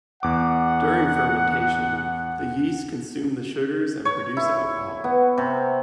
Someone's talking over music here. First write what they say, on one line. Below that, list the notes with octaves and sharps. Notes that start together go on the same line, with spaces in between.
During fermentation, the yeasts consume the sugars and produce alcohol.
E2 F#5 D6
C#5
E4
B3
C3